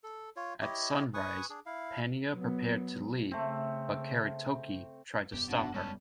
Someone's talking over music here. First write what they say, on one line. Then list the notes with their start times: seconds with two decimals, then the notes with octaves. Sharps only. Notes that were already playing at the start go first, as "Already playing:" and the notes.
At sunrise, Pania prepared to leave but Karitoki tried to stop her.
0.04 A4
0.36 F4 C#5
0.61 E4 G4 C#5 D#5
1.14 B4 G#5 C#6 D#6
1.50 D4 G#4
1.66 E4 F5
2.33 F#3 B3
3.31 C#3 A3 C4
5.33 F1 G2 B3 G4
5.50 B2 D4 F#5
5.74 G3 G#3 C#4 A5